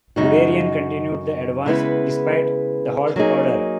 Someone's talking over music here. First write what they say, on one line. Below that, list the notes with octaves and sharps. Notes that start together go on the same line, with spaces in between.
Guderian continued the advance, despite the halt order.
F#2 C#3 G#3 D#4 F#4
C#3 G#3 B3 E4 B4
F#3 A#3 D#4 G#4